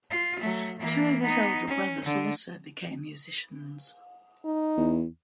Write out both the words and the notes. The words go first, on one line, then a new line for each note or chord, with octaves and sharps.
Two of his older brothers also became musicians.
F4
F#3 A3
E3 A#3
B3 D#4
C#4
D3
D#4
E2